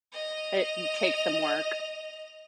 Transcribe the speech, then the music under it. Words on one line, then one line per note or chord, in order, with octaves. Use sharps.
It takes some work.
D#5 F7